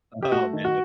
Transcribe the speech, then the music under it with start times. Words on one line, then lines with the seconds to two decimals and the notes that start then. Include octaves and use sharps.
Oh, man.
0.23 G4
0.32 A3 F#4
0.53 D#3
0.65 F#4